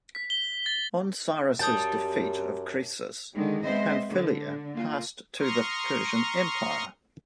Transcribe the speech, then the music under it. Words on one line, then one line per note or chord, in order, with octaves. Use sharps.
On Cyrus's defeat of Croesus, Pamphylia passed to the Persian Empire.
B6
G7
A6
F#2 G3 A5 D#6 G6 A6
D3 D#3 G#3
G#3 B3 C4 C5 D#5 E5
D3
A#3 F4
A#5 C6 C#6 D#6 F6